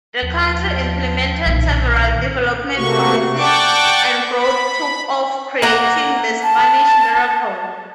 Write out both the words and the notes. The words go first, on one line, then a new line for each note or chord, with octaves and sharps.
The country implemented several development policies and growth took off creating the "Spanish Miracle".
D#2 F3
B1 A#2 D#3
C3 A3 A#3 F#4 C#6
D5 F#5 G5 A5 C#6 D6
B5
A#3 A#4 F#5 A#5
A5